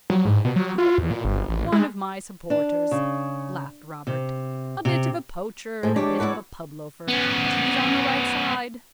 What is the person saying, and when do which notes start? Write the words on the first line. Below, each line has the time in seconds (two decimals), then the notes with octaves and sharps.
"Oh, one of my supporters," laughed Robert; "a bit of a poacher and a bit of a pub-loafer, but he's on the right side."
0.10 F#3
0.25 G#2
0.45 B2
0.56 F#3
0.78 F4
0.98 E2
1.10 A#2
1.25 G1
1.49 A1
1.72 G#3
2.50 D4
2.91 C#3
4.07 C3
4.85 C3
5.83 A2 G#4 C5
5.96 G#3 D4 G4 C#5 D5
6.20 E4 F#4 B4
7.08 B3 C#4